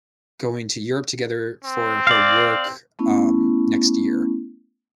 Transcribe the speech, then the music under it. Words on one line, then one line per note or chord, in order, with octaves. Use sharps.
going to Europe together for her work, um, next year.
C4
D5 F5
A3 B3 C#4 E4